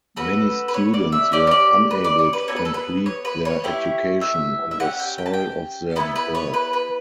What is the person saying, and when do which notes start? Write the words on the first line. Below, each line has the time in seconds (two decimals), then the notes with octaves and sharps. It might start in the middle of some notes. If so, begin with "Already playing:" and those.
Many students were unable to complete their education on the soil of their birth.
0.16 C#4 F#4 A4 B4
0.68 B4
0.74 C#5
0.94 D5
1.12 E5
1.32 C#4 G4 D5
1.47 C#5
1.51 D5
1.91 B4
2.04 D5
2.19 C#5
2.33 B4
2.48 B3 F#4 A4 C#5
2.56 B4
2.65 A4
2.74 B4
3.06 C#5
3.25 B4
3.45 C#5
3.64 A3 E4 G4
4.21 E5
4.71 E5
4.80 C#4 G4 F#5
5.00 G5
5.18 G5
5.26 A5
5.33 G5
5.96 B3 E4 A4 B4
6.16 B4
6.35 C#5
6.54 B4
6.73 B4